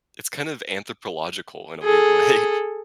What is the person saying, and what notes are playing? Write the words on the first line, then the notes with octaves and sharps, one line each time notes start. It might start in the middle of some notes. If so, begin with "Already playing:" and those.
It's kind of anthropological in a weird way.
G#4 A4